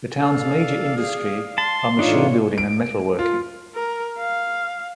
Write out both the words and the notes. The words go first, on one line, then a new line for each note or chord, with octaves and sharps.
The town's major industry are machine building and metalworking.
A4 D5 F5
G#4
A5 C6
E2 A2 D4 D#4 F4 C#5
D7
F4
A#4
F5